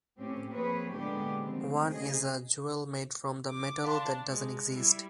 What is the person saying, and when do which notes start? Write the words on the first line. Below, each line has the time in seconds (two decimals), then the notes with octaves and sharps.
One is a jewel made from "the metal that doesn't exist".
0.17 A2 C4 C#4 G4
0.50 F3 A#3 C4 G#4 B4 C#5
0.90 A#2 D3 G#3 B3 D4 G4
1.36 D#3 F3 A3 C4
1.89 C#3 G#4 D#5
3.49 D6
3.84 D4 F5 A5 C6
4.29 G#3
4.73 G3 E4